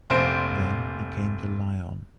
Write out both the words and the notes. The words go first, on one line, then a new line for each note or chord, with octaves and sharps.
Then, he came to Lyon.
F1 A#1 C5 D7